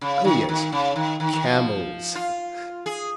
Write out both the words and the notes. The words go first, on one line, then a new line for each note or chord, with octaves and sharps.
Oh yes, camels.
C#3
D#3
D#3
C#3
D#3
D#3
D#3
F3
F4
G#4